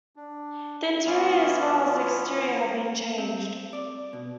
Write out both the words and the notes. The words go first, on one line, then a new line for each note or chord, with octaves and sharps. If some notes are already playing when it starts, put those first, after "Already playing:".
The interior as well as the exterior have been changed.
D4
E3 B3 C#4 E4 F4
C4
D5
B2